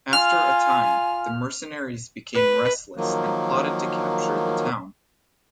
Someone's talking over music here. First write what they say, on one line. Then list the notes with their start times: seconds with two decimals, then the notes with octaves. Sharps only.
After a time, the mercenaries became restless and plotted to capture the town.
0.13 F4 G#5 F6
2.34 B4
2.97 D#3 F3 F#3 A#3